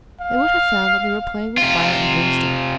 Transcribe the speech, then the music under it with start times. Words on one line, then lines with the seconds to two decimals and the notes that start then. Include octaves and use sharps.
They would have found that they were playing with fire and brimstone.
0.21 F5
1.58 C3 F4